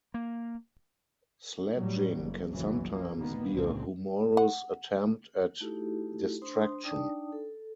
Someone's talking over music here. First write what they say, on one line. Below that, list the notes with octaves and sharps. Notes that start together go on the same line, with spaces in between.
Sledging can sometimes be a humorous attempt at distraction.
A#3
A2 F#3 G3
F#1
F#1 B1 F2 E3 F#3
F3 A#3
A#2 D#3 A#3 B3
C#2 A#2 D3 G#3 C4
F#5
A3 D#4 E4 F#4 G4 A4
D4 C5 C6 D#6
D4 D#4 D5 G5 A5 D#6
A4